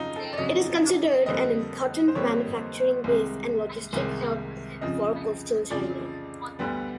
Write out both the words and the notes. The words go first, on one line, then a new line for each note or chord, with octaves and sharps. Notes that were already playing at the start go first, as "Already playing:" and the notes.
It is considered an important manufacturing base and logistics hub for coastal China.
Already playing: F2 C#3 F#3 D#4 F4
A4
D5
F2 C#3 F#3 D#5
F2 D3 G3 A#3 D#5
C5
F2 D3 G3 A#3 C#5
C2 C3 D#3 G#3
C2 C3 D#3 G#3
F2 C#3 F3 D#5
F2 C#3 F3 D5
D2 D3 G3 B3